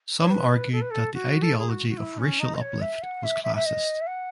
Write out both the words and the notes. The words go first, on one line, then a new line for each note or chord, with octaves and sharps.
Some argued that the ideology of racial uplift was classist.
C#5
B4
A4
B4
A4
F#4
A4
G#4
F#4
F#4
E4
C#4
D#4
D#5
C#5
E5
F#5
E5
E5
E5
D#5
E5
F#5